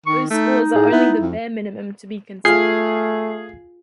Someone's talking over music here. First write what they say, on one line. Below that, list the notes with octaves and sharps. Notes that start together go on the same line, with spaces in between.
Those scores are only the bare minimum to be considered.
D#3 C#6
A3 D#4
A2 G#4
B3 E4
F2
A3 F4 G#4 F5 C7